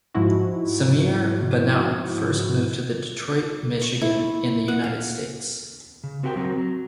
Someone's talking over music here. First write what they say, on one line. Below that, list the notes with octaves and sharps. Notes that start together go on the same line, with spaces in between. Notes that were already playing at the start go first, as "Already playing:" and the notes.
Samir Bannout first moved to Detroit, Michigan, in the United States.
G#2 F3 G#3 E4 F#4
C#6
E4
F#5
F5
C#3
C4 F#4 G4 A#4 F#5 G5
F#3 C4 F#4 A#4
F#3